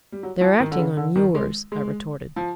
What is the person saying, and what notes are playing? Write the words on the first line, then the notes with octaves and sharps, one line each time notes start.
"They're acting on yours," I retorted.
G3
F#3
F3
D#3
D3
C#3
D3
D#3
G#3
G#3
F3